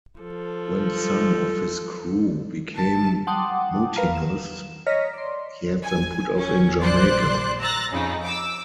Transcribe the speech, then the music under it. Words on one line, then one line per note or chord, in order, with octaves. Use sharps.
When some of his crew became mutinous, he had them put off in Jamaica.
F3 A4
A5
F#5 G5 A5 C6 D6 D#6
A#4 B4 F5 A#5 F6
E7
C#5 D#5 A#5 F6 A#6 B6
D5 C6
G#5
C#4
A#1 C5 D5 C6 F#6
A#5 E6 F#6 A6 A#6
F2 C#3 D#4
D6 E6